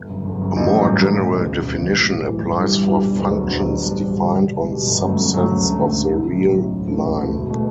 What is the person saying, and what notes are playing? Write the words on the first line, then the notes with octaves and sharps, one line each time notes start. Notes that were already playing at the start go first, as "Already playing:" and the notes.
A more general definition applies for functions defined on subsets of the real line.
Already playing: G1
F#2 C#3
G1
F#2 C#3
A1
G2 F#3 A3
A1
G2 F#3 A3
E1
D2 C#3 E3
E1
D2 C#3 E3
B1
A2 E3
B1
A2 E3
G2
E3 G3 D4
G2
E3 G3 D4
E1
D2 D3 F#3 B3
E1
D2 D3 F#3 B3
A1
G2 D3 G3 D4
A1
G2 D3 G3 D4
C#2
B2 G3
C#2
B2 G3
G1
F#2 C#3 F#3 A3
G1
F#2 C#3 F#3 A3
D2
D3
A3
D2
D3 A3
B1
A2 F#3 C#4 E4
B1
A2 F#3 C#4 E4
D2
C#3 E3 A3 E4
D2
C#3 E3 A3 E4
E1
B2 A3